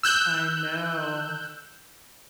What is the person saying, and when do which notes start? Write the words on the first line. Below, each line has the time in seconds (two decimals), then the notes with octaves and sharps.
I know.
0.03 E6 F#6 G6